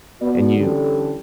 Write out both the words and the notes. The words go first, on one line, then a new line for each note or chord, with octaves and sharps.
and you
B3 F#4 D5
D3 E3 G3 C#4 G4 A4